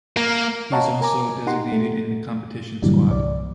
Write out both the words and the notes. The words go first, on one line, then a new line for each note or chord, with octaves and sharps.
He is also designated in the competition squad.
A#3
C#5 D#5 F5 F#5 A5 A#5
A#4 G#5 A#5 D6
D#4 G4 F#5 A#5 C6
A3
G2 A#2 D3 E3 F#3 G3
C2 D5